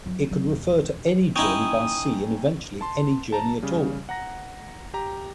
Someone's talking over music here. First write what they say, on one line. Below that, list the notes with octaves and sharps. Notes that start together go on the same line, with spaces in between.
It could refer to any journey by sea and eventually any journey at all.
F#3 F4
F#3
E1
C#4 D#4 E4 G5 G#5 A#5 D#6
A5 C6
A5 A#5
C#3 G3
F#5 A#5 A#6
G4 A#5